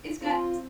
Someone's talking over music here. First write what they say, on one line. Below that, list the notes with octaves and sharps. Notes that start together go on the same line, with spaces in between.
it's got s
C4 F4